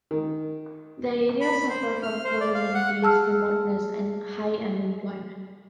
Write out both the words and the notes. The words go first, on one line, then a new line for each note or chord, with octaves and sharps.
The area suffered from poor amenities, remoteness and high unemployment.
D#3
B5
C5
F6
C5
D5
F5
F#5
G#4 A5 E6 F6